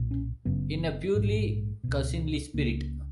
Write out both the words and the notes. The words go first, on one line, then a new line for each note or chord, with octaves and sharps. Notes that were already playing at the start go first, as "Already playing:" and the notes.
In a purely cousinly spirit.
Already playing: B1 A#2
C#4
F#1 F#2 C#3 B3
A#1 G#2
C#2 B2
C#2 C#3 A#3